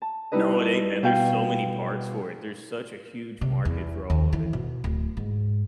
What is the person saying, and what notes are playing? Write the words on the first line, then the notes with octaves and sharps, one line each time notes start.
No, it ain't, man. There's so many parts for it. There's such a huge market for all of it.
A5
G3 D#4 E4 B4 D#5
B2 F5 G5
C3
E2
D#2
E3
B2
D1
G#2